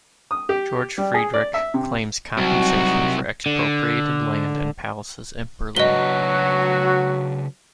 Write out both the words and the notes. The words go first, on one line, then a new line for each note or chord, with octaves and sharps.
Georg Friedrich claims compensation for expropriated land and palaces in Berlin.
D#6
G4
G3
G#4
D5
E5
C3
C2 F#3 D#4 F#4
D3
C#3 F#3 D4 F#4 B4 D#5 G7